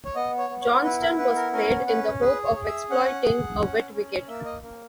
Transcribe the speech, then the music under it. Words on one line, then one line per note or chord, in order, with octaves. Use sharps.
Johnston was played in the hope of exploiting a wet wicket.
C#5
B3 D#5
C#5
B3
C#5
E4 B4
A#4
B3 B4
A#4
C#4 A#4
C#4 B4
G#4 B4
C#5
G#4
E5
C#4 F#5
G#4
C#4
C#4
A#3 E5
D#5
A#3